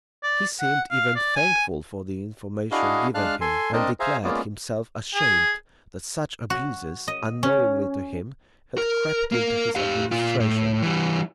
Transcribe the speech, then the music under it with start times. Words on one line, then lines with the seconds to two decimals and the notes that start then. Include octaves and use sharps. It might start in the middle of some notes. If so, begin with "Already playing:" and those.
He seemed even thankful for the information given him; and declared himself ashamed that such abuses, unknowingly to him, had crept into his administration.
0.23 D5
0.60 F#5
0.91 F5
1.16 D5
1.36 G#5
2.72 D4 E4 F#4 G#4 D#5 F5
3.15 G#3 D4 F5 A5 F6 F#6
3.41 A4 G#5 C6
3.73 C4 D4 A#4 D#5 A5
4.00 G#4 C5 E5 F5 G#5 A#5
4.24 G#3 A#3 B3 C#4 F4 D5
5.15 G#4
6.50 F#4
7.08 D#5
7.43 C#4
8.78 A#4
9.32 A#3 A#4
9.75 G4 F5
10.11 A#2 F4
10.40 A2
10.82 E3 G3